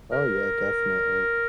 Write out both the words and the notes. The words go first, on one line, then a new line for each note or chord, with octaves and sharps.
Oh, yeah. Definitely.
A#4